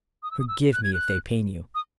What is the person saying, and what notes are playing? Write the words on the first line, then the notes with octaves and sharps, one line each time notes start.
Forgive me, if they pain you.
D#6
E6
D#6
E6
F#6
G#6
F#6
D#6